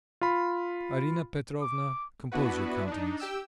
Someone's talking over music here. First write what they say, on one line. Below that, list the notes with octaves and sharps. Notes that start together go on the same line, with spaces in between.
Arina Petrovna, compose your countenance.
F4 B5
D6
B3 D4 E4 F#4 B4
D4 D#4
G4 G5 E6